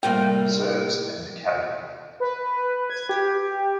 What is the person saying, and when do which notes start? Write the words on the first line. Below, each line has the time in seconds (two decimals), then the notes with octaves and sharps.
Reserves and Academy.
0.03 A2 C3 G3 A#3 G5
2.20 B4
2.90 G#6
3.09 G4